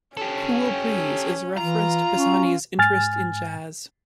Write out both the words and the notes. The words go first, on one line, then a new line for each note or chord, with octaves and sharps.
"Cool Breeze" is a reference to Pisani's interest in Jazz.
C#4 G4 A4
E3 F4 A#5
C#4
G#2 G#5 F6 A6